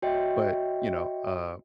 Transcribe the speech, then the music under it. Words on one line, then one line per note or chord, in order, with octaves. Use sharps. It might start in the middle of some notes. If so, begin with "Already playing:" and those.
but, you know, a
F#4 C#5 D#5 E5 G5